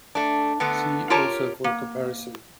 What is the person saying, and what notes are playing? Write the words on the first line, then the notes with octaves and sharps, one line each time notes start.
See also for a comparison.
A3 D4
D3 A3 B3
F4 G4 A#4 C#5 A5
A#3